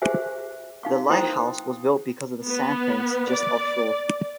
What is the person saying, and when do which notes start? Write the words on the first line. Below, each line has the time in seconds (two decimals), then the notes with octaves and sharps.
The lighthouse was built because of the sandbanks just offshore.
0.02 G4 G#4 C5 E5 G#5
0.83 D#4 F5 C#6
1.09 D#4 E4 C5 G5 C6 D#6
2.47 B3
3.29 D5